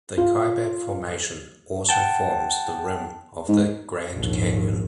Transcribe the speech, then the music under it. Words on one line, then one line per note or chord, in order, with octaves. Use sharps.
The Kaibab formation also forms the rim of the Grand Canyon.
F4
F#5 G5 A5
G#2
A#1 D#2 G#2